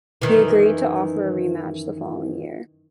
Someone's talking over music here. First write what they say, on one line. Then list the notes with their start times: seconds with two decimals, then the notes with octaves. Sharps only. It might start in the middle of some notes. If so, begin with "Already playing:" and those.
He agreed to offer a rematch the following year.
0.22 F#2 D#3 E3